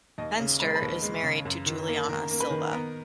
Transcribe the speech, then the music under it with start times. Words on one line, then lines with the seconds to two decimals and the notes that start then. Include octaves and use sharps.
Fenster is married to Juliana Silva.
0.18 D#2 D#5
0.40 C#3
0.60 G#3 B4
0.68 A#4
0.75 B4
0.82 D#2
1.02 G#3
1.23 C#3
1.45 F#2
1.66 D#3
1.88 A#3
2.08 D#3 A#4
2.30 A#3
2.40 B4
2.51 D#3
2.73 B3 A#4